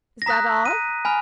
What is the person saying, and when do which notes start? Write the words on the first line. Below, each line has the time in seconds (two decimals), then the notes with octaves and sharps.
"Is that all?"
0.22 A#6
0.26 A#5 D#6 F#6 B6
0.65 D#7
1.05 G#5 B5 F6